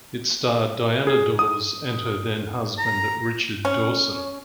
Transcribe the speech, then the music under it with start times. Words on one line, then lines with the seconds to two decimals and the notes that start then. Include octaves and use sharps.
It starred Diana Dors and her then husband Richard Dawson.
1.07 G#4
1.39 D#6
2.79 A#5
3.65 C#4